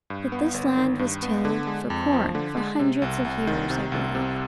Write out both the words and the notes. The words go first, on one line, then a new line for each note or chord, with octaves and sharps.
But this land was tilled for corn, for hundreds of years, I believe.
G2
B3
G1
D#3
G2
B3
D3
G#3
F2
F3
D3
G#3
C3
C2
C2
D#3
C3
C2
C3